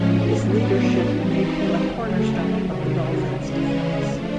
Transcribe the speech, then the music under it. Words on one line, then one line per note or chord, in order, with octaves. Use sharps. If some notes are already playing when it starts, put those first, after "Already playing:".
His leadership made him a cornerstone of the Dolphins' defense.
Already playing: A2 F3 G#3 C#4
A2 F#3 B3 D4
E3 G3 C4 D#4
C#3 F#3 A3
C3 D#3 F#3
C#3 E3 G#3 C#4
F3 A3 D4